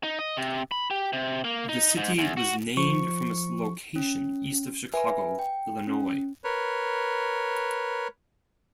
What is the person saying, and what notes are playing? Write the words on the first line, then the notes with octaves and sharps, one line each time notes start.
The city was named from its location east of Chicago, Illinois.
D#4
D#5
C3
B5
G4
C3
A#3
D#4
G#2
E2
F#4
F3 C#6
C#4
B4 E5 G#5
G5
C#4
A#4 B4 C#5